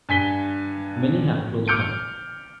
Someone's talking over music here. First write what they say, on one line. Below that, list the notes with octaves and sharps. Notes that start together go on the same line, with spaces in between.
Many have closed down.
G2 G#5 B6 G7
D6 F6 G6 C#7 D7